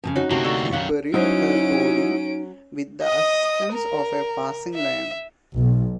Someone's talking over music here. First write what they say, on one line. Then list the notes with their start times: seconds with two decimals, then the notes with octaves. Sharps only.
He buried her body with the assistance of a passing lion.
0.04 F2 A#2 C#3
0.16 D#4 F#4 C#5
0.31 D2 C3 A#3 F#4 G4 A5
0.44 A4 D5 F#5 C#6
0.73 F#2 D#3 C#5 F5 F#5
1.14 F#3 C#4 D#4 E4 F#4 C5 D#5 D7
3.02 D#5 D#6
3.72 A#4
4.75 E5
5.57 B1